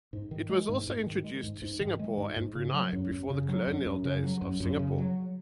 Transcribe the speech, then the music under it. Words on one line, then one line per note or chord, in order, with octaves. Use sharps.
It was also introduced to Singapore and Brunei before the colonial days of Singapore.
G#2
D#3
G#3
G#2
G#2
D#3
G#3
G#2
G#2
D#3
G#3
G#2
G#2
C#3
F#3
F#2
F#2
C#3
F#3
F#2
F#2
C#3
F#3
F#2
F#2
C#3
F#3